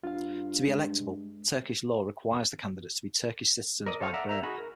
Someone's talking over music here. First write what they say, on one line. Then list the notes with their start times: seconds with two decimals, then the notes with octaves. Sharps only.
To be electable, Turkish law requires the candidates to be Turkish citizens by birth.
0.04 G2 F4 F5
0.68 G#3
3.86 A#4 D5 D#5
4.00 A4 C5 C#5 F5
4.14 D5 E5 F#5 A#5
4.29 A#4 E5 A#5
4.43 D#4 F#4 G#4 B5
4.58 A#4